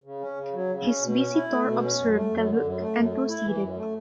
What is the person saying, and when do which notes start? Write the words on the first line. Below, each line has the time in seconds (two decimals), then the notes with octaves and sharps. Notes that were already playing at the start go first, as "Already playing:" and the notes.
His visitor observed the look, and proceeded.
0.04 C#3
0.20 C#4
0.36 C#3
0.53 F#3
0.69 C#3
0.85 C#4
1.01 B2
1.17 C#4
1.33 E4
1.50 A3
1.65 B2
1.82 C#4
1.98 F#2
2.14 A3
2.30 F#2
2.47 D3
2.63 F#2
2.80 A3
2.95 F#2
3.12 A3
3.28 E4
3.44 E3
3.60 F#2
3.76 A3